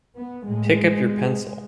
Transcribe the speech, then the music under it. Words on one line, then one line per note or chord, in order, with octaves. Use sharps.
Pick up your pencil.
B3
A2 G#3